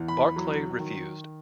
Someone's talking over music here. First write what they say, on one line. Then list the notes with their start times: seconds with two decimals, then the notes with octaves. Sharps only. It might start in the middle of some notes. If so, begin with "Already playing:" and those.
Barclay refused.
Already playing: E2
0.08 B5
0.36 F#3
0.80 D#3